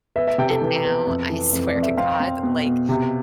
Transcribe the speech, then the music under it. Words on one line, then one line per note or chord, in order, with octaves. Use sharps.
and now, I, swear to God, like,
B3 E5
E5
C3 G5
A4
E3
B3
F2
E3
F2
D5
F2
E5
C4 F5
C4
B2
B2
C3